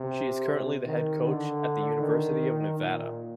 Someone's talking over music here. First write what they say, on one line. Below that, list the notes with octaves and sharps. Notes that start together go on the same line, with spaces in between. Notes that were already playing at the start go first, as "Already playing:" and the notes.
She is currently the head coach at the University of Nevada.
Already playing: C3
D#3
D3
D#3
A#2